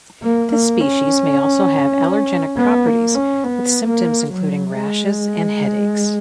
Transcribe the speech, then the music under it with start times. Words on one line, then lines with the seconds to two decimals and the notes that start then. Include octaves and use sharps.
This species may also have allergenic properties with symptoms including rashes and headaches.
0.23 A#3
0.51 A#3
0.81 C#4
2.57 B3
2.86 A#3
3.15 C#4
3.43 B3
3.88 A#3
4.32 F#3
4.75 G#3